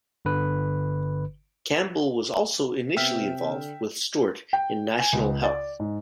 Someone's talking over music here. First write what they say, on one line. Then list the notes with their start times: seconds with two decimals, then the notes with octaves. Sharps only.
Campbell was also initially involved with Stewart in National Health.
0.25 G1 D3 B4
2.97 C3 B3 E5 G5 F6 B6
3.48 D3
4.53 G5
5.00 G#5
5.13 C#2
5.43 D5
5.80 G#2